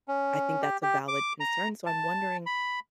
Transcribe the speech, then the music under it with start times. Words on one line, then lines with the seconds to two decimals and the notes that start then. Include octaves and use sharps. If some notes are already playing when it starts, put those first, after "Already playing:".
I think that's a valid concern, so I'm wondering,
0.08 C#4
0.62 G4
0.82 G4
1.08 D6
1.40 A#5
1.86 A5
2.46 B5